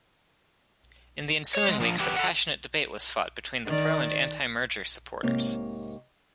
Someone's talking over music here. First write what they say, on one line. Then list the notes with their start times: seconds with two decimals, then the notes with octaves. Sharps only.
In the ensuing weeks, a passionate debate was fought between pro and anti-merger supporters.
1.55 C#5
1.69 G#3
1.80 F3 D4
2.00 E3 F#3 F#4 G4 B4
2.16 A4 F#5
3.66 D#3 D5
5.23 G#2 C3 A#3 C#5